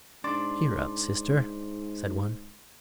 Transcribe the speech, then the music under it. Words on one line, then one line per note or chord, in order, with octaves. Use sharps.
"Cheer up, sister," said one.
G#2 D4 C6 D6 A6